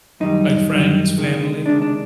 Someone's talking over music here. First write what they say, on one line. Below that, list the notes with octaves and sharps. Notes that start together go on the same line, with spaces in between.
Like, friends, family?
F#2 D#3 G3 D#4
F#2 D#3 G3
C#2 C3 D#3 G#3
C#2 C3 D#3 G#3 D4
D4